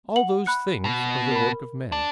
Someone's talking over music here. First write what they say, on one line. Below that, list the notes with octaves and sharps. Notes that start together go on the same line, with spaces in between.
All those things are the work of men.
F#5 F#7
B5 F#6 C#7
B2
A#4 B5
D4